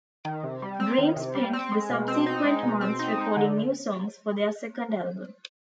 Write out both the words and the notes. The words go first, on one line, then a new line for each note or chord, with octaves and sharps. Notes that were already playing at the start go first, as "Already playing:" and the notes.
Dream spent the subsequent months recording new songs for their second album.
D#3
C3
G3
C4
D#3
C3
G3
C4
G#3
B2
C4
D#4
G#3
B2
C4
D#4
G#3
D3